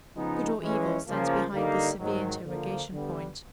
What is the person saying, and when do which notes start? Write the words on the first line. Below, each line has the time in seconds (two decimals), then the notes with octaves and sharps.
Good or evil stands behind this severe interrogation point.
0.14 C#3 F3 G#3 B3 D#4
0.60 E3 G#3 C#4
1.06 C#3 F3 A#3
1.52 D3 G3 A#3 D#4
1.98 G#2 D#3 F#3
2.44 D3 F3 A#3
2.91 D3 G3 B3